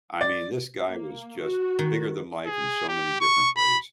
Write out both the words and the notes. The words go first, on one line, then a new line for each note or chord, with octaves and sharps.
I mean, this guy was just bigger than life in so many different ways.
D5
A#3
F#4
D#3
G#4
G4
C#6
B5